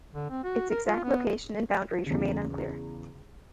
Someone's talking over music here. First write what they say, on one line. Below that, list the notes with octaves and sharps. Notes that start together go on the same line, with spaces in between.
Its exact location and boundaries remain unclear.
D3
C4
F#4
A#4
F4
B3
E2 C#3